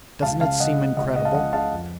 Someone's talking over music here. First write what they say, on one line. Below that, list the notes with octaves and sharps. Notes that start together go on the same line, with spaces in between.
Doesn't it seem incredible!
C#2 F5 A5
C#3 F5 A5
C#2 D#5 F#5
C#3
C#2 D#5 F#5
C#3 D#5 F#5
F5 A5
C#2 D#5 F#5
C#3 F5 A5
F2